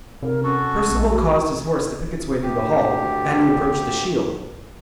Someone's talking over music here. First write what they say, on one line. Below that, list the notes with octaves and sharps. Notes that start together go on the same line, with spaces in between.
Perceval caused his horse to pick its way through the hall, and he approached the shield.
C3 A#4
C#4 F#4 A4
A#1 G#3
E4 F#4
D2 G4